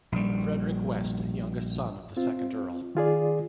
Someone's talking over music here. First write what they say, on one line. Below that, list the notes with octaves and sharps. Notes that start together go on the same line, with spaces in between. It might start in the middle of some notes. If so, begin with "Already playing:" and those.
Frederick West, youngest son of the second Earl.
A#1 G3
C4 F4
D#3 F4 G#4 D5